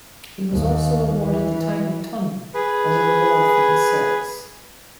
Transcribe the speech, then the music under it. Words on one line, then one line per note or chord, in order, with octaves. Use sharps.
He was also awarded the title Tun as a reward for his service.
D#2
E3
G#4 B4